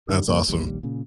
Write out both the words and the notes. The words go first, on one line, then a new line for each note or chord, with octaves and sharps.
That's awesome.
G2 D3 D#3 G3
C2 C#3 G3 A#3
D#1 A#1 D#2 G3
A#2 C#3